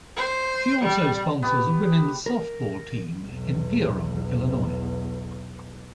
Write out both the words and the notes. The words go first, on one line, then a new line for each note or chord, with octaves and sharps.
She also sponsors a women's softball team in Pierron, Illinois.
C5
G3
B3 G4
A#4
B1 E2